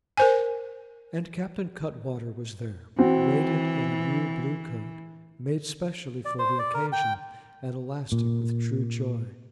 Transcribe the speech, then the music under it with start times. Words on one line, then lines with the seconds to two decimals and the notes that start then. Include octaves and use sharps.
And Captain Cuttwater was there, radiant in a new blue coat, made specially for the occasion, and elastic with true joy.
0.17 A#4 C5 G#5
2.99 E3 C4 F#4
6.25 D5
6.39 C5
6.59 D5
6.74 A#4
6.92 G5
8.12 A#2